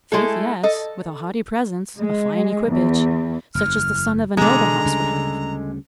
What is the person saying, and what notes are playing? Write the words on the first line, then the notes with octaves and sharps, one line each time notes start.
"Faith, yes, with a haughty presence, a fine equipage; such as the son of a noble house would have."
G#3 A3 E4 A4
A4 D#5
G#3
E2
F#1 E2 F6
B2 D3 E3 G#3 B3 A#5
D2 C#3 G3